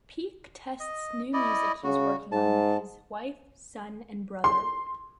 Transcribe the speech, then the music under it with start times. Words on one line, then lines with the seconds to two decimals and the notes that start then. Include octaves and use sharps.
Peake tests new music he's working on with his wife, son, and brother.
0.80 D#5
1.33 E4 D5 D#5
1.84 C#3 F#4
2.32 G#2 A5
4.44 C6